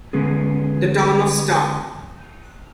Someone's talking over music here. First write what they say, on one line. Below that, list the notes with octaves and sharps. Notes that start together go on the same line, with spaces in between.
The town of Sta.
D3 G#3 B3 C#4 G#4